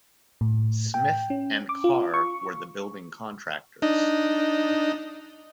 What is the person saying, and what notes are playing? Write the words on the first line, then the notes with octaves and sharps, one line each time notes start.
Smith and Carr were the building contractors.
A2
G5
C#4
D6
F4
C#6
D4 D#4 D#5